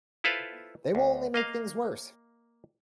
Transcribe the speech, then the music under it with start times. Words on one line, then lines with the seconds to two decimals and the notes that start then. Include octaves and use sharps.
They will only make things worse.
0.24 E4 F4 A4 B4 C5 F5
0.95 D2
1.34 A#3 D#5 F5